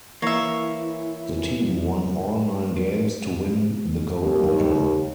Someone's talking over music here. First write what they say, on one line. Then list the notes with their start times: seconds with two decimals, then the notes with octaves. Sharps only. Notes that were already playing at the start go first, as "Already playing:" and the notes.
The team won all nine games to win the gold medal.
0.22 E3 A#3 E4 C#5 E5
4.21 D#2